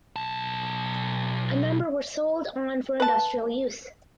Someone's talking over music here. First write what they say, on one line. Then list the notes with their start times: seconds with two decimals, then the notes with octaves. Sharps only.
A number were sold on for industrial use.
0.16 B1 A5
3.00 B4 A5